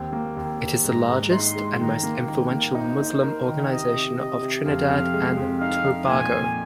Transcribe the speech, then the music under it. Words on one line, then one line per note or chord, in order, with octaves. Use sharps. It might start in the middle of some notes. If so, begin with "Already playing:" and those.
It is the largest and most influential Muslim organisation of Trinidad and Tobago.
Already playing: D#2 C4
A#3
D#2
D#2
G#2 A#5
G#2
D#4 C6
G#3
D#3 A#5
A#3
D#3
A#3
D#4 C5
D#4
A#4
D#3
C3 D#5
C3
C3 D#5
C3
F2 F5
F2
G#3
F2
D#4 F5
D#4
A#2 G#5
A#2